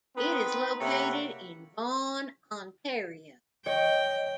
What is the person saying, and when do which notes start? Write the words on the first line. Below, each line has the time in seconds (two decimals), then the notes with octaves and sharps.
It is located in Vaughan, Ontario.
0.16 B3 C4 D#4 B4
0.80 C3 A#3 A4 C#5 F#5 B5
3.66 C#5 D#5 G5